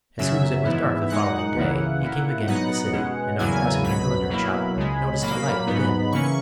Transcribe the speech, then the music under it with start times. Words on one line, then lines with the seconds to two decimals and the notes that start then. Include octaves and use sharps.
As soon as it was dark the following day he came again to the city and on passing the millinery shop noticed a light within.
0.18 F#2 C#3 F#3 E5
0.64 G#2 E3 B3 E4
1.10 A#2 G#3 D#4 F#5
1.55 C#2 C#3 E3 A#3 E4
2.01 A#2 A#3 E4
2.47 B2 F#3 B3 D#4 F#5
2.92 B2 G#3 C#4
3.39 E2 C#3 F#3 A#3 E4 G#5
3.84 C#2 B2 F#3 B5
4.29 B2 F#3 A#3 E4
4.76 C#2 C#3 G#3
5.21 A#2 F#3 A#3 B5
5.67 G#2 F#3 B3 D#4
6.12 C#3 E3 A#3 C#4 C#6